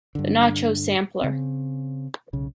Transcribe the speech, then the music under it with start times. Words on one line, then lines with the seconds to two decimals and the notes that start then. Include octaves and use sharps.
The Nacho Sampler.
0.15 G2 D3
1.21 C#3 C4
2.33 B1 C#3